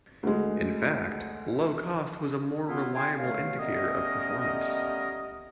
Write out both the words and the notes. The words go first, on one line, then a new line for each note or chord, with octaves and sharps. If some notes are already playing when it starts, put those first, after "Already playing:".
In fact, low cost was a more reliable indicator of performance.
D2 G#3
F#3 B3 E4 F4
E4 G5 G#5 C6
C2 B2 A3 C#5 F5
G3 A3 B3 C#4 A#4 D#5